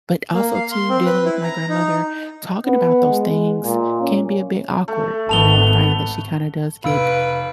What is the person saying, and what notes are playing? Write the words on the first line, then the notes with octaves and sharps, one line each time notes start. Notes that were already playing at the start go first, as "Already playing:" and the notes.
but also, too, dealing with my grandmother, talking about those things can be a bit awkward, you know, I find that she kinda does get,
A#3
F5
C6
C4
B4
E4
A#5
D#4
B3
G#3
A#2
C#4
A3
G#1 A3 B3 A5 F7 G7
F1 B4 F5 B5 E6 D7